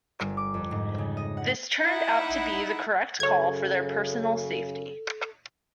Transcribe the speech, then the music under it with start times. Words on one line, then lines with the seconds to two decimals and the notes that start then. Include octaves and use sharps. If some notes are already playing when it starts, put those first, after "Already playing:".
This turned out to be the correct call for their personal safety.
0.21 G1
0.37 D6
0.54 F2
0.71 G#2
0.98 C#3
1.17 D#5
1.37 F#5
1.82 D#4 E4 F#5
3.20 F#2 C#3 A4 C#5 G#6